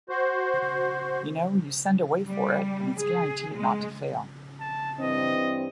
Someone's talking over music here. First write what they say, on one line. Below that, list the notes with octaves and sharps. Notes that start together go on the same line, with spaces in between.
You know, you send away for it and it's guaranteed not to fail.
F#4 C5
G3
G#4
G#3
A5
G2 E3 C4 D#5